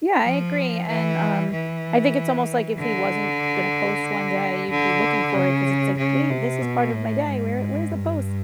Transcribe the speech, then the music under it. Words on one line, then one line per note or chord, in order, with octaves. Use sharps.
Yeah, I agree, and, um, I think it's almost like if he wasn't gonna post one day, you'd be looking for it ‘cause it's like, wait, this is part of my day, where where's the post?
F3
E3
E3
D3
D3
C#3
C#3
C3
B2
A2
G#2
G2